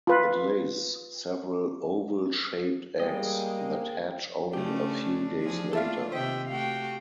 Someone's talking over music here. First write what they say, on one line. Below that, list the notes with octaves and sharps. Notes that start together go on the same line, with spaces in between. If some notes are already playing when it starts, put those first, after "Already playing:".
It lays several oval-shaped eggs that hatch only a few days later.
F4 B4
G3 G#3 A#3 G#4 D#5 G5
C#3 A3 C#4 D4 G4
E2 F3 G#4
A3 A#3 F4 A4 E5 F5
C3 D#3 C5 D#5 E5 G5
A3 F#4 G4 F5 G5